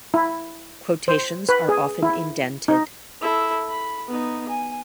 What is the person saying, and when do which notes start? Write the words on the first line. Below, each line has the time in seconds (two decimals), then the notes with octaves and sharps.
Quotations are often indented.
0.14 E4
1.08 C5
1.49 B4
1.69 G#4
2.03 E4
2.68 D#4
3.21 E4 A4
3.68 B5
4.07 B3 D#4
4.48 G#5